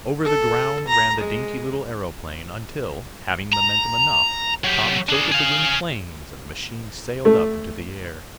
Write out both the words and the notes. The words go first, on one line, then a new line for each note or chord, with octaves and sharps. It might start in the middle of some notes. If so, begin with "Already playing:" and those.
Over the ground ran the dainty, little aeroplane, until, having momentum enough, Tom tilted the wing planes and the machine sailed up into the air.
A4
A#5
G#3
A#5
F#3 G4
D4 G#4
G#4 F5
A3